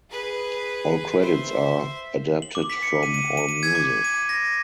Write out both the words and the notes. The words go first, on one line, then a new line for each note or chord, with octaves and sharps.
All credits are adapted from Allmusic.
G#4 B4
C5 E5
F#7
D6
B6
C#7
D#7
D#7
D#7
D#7
G#6
D6
D#7
A#6